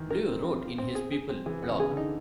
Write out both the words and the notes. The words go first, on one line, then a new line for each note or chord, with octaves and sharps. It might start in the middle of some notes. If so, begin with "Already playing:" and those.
Bleu wrote in his "People" blog.
Already playing: D#3 E3
A#4
C4
C4
F4
C4
G#4
G#4
C4
E3 G#4
B3
C#3
G#4
D3
D#4